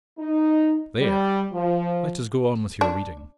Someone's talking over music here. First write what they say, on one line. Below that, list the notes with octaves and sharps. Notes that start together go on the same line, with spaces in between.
There! let us go on with your reading.
D#4
G3
F3
D4